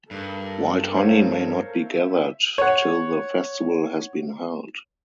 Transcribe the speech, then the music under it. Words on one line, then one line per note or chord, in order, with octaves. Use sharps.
Wild honey may not be gathered till the festival has been held.
G2 A4 A#4
C5 C#5 F5
E5
C#5 F#5